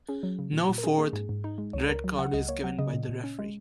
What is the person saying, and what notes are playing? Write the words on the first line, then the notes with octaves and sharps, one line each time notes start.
No fourth red card is given by the referee.
C#4 G#4
F#3
C#3
A#2
A#2
A#4
C#4 G#4
A#3 G#4
G#2 G#4
G#2
D#4
G#3
C#2 C#5
C#2 A#4
F#3
C#3 F#5
C#2 D#5
A#3 C#5
F#3 F#5
C#3 D#5
A#2
A#2
C#4
G#3